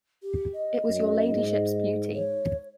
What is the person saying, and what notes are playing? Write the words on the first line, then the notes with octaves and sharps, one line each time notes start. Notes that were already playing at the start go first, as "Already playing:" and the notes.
It was your Ladyship's beauty.
G4
D#5
F#2
G#2
C#5